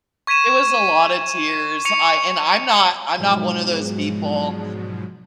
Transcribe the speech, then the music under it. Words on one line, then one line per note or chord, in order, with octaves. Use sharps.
It was a lotta tears, I and I'm not I'm not one of those people
C#6 G#6 B6 D#7 E7
C#6 C#7 F7
G#2 B2 F3 F#3 G#3